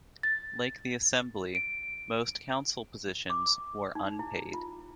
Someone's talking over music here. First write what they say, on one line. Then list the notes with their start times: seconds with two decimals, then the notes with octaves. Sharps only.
Like the assembly, most council positions were unpaid.
0.23 A6
1.55 D7
3.30 D6
3.95 D#4
4.19 E4
4.54 F4